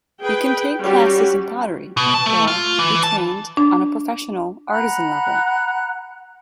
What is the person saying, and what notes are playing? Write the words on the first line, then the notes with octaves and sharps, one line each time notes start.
You can take classes in pottery or be trained on a professional artisan level.
G#4 B4 G5
G3 C#4 F#4 G4
B2
A5
A3
F4
E3
A5
D4
F#5 A#5 B5 F#6